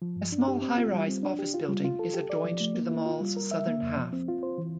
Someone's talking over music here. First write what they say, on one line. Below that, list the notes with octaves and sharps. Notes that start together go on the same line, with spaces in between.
A small highrise office-building is adjoined to the mall's southern half.
F3
G2
D4
G4
C4
F4
G3
C4
D4
G4
F4
G3
F4
A4
G4
D5
F3
A3
A#3
E4
F4
G3
A#4
E5
A#3
F2
F3
C4
F4
C5
E3